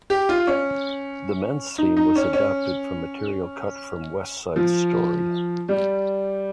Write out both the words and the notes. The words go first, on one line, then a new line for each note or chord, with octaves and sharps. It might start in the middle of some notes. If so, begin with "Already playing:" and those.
The men's theme was adapted from material cut from "West Side Story".
G4
F4
C#4
D#4
D#4
C#4
C#4
F3
G3